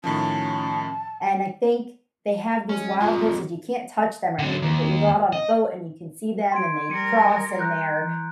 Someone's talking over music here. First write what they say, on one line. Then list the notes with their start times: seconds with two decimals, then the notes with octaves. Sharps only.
and I think they have these wild horses you can't touch them or anything, but you go out on a boat, and you can see them, and they cross, and they're,
0.04 A2 D#3 F3 C#4 A5
2.69 G#3 C#4
3.01 F2 G#2 F4
4.39 D3 F#3
4.62 D#2
5.33 D#5
6.52 C6 G#6 D7
6.90 G3 A#4 C#7 D#7
7.59 A#5 F#6 G6
7.99 E3